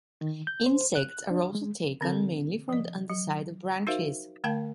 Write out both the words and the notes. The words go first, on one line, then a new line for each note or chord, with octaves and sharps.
Insects are also taken, mainly from the underside of branches.
D#3
G6
C5
F#6
D4
G#3
D3 C4 A4
F3 D#5
F#3
D#4 F#4 A#4 C5 E5 F5
D3 A3 A#4 F5 G5 A5